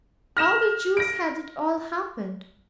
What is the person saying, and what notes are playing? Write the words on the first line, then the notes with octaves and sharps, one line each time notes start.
How the juice had it all happened?
F6 A#6 E7
A#6 D7